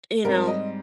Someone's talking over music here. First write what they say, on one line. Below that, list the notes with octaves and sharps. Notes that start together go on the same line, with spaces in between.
you know?
G#2 G3 C4 A#4
D#5